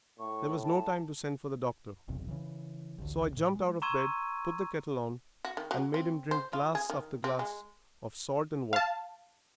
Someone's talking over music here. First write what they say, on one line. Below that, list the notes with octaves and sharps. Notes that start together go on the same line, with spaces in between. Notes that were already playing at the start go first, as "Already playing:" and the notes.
There was no time to send for the doctor, so I jumped out of bed, put the kettle on, and made him drink glass after glass of salt and water.
A2 C#6
A5
F#1 B1 E2 C3
C#3 E3
A1 D2
A2
G#3
A#5 C6 C#6 E6 G#6 D#7
F#4
D#3
F#3
C4
C5
F4
G#4
D#3
C4
G#3
F5 A5